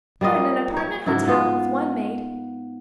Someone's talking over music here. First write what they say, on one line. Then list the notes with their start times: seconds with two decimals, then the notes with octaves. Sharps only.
We're in an apartment hotel, with one maid.
0.21 G3 A#3 F4 D#5
0.77 C#5
1.06 G#2 C#3 E4 F#4
1.27 B3 F4